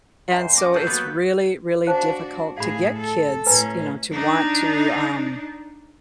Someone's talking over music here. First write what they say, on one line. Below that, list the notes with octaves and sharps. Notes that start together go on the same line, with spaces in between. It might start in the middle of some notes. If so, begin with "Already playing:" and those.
and so, it's really, really difficult to get kids, you know, to want to, um
F#2 C5
C#4 A#5 D6
A1 F#3 G#4 A4 G6
F#3 A#3 B3 F4 F#4 B4 D#6
D4 F#4 C5 F5 A5
A2 G#4 F5 B5
A4
A2 C#4 B4 G#5 A#5
D4 D#4